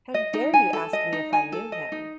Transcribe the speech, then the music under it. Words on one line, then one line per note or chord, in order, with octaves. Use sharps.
How dare you ask me if I knew him?
D#5
D#4
G#5
A4
D#5
D#4
G#5
A4
D#5
D#4